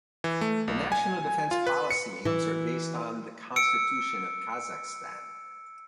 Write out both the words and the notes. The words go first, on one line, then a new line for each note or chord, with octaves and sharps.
The national defence policy aims are based on the Constitution of Kazakhstan.
E3
A3
B1
G#5
F4
B4
C#7
E3
E6 C#7 D7